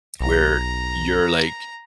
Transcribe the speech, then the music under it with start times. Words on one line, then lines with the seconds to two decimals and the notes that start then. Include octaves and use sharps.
where you're, like,
0.21 B1 A#5